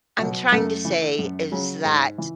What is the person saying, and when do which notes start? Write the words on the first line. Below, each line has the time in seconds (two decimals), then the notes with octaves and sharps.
I'm trying to say is that,
0.18 B2 F#3
0.52 F#2 A3
0.85 E3
1.19 F#2
1.52 C#3 F#3
1.85 G#2
2.18 E3